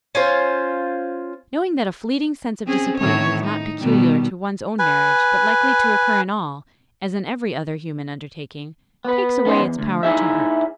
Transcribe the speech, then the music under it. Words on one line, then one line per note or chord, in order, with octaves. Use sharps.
Knowing that a fleeting sense of disappointment is not peculiar to one's own marriage, but likely to occur in all, as in every other human undertaking, takes away its power to hurt.
C#4 F4 C5
C4 C#4 G#4
A2 D#3 C#5
D#4
B2 D#3 G3
B4 G#5
B3 B4
B3 C#4 D#4 C5
E2
D2
D#4 E4 G#4 E5